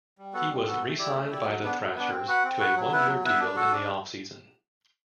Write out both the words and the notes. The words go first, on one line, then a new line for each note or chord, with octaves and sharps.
He was re-signed by the Thrashers to a one-year deal in the off-season.
G3
B3 F#4 A4
G3
B3 F#4 A4
A3
E4 G4 D5
A3
E4 G4 D5
F#3
B3 D4
F#3
B3 D4
C4
F#4 B4 F#5
C4
F#4 B4 F#5
F#3
B3 E4 B4
F#3
B3 E4 B4
D4
F#4 A4
D4